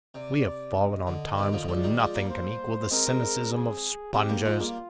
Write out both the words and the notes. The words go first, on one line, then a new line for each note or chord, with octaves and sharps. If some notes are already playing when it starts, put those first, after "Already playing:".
We have fallen on times when nothing can equal the cynicism of spongers.
C3 D5
D#5
D3
C3 D#3
D3 F3
F3 G#3 D5
D#3 G3
F3 G#3
G3 A#3
C5
G#3 C4 A#4
G#3 C4
G#4
G#3 C4 G4
G3 A#3
F3 G#3 F4
G3 A#3